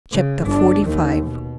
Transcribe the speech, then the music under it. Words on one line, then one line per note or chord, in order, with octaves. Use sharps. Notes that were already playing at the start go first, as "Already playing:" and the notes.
Chapter XLV.
C#3
G1 D4
D#2 D#3
B2